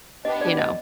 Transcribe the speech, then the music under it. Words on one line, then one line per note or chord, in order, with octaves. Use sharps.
You know?
B3 D4 G4 D#5
D5
D#5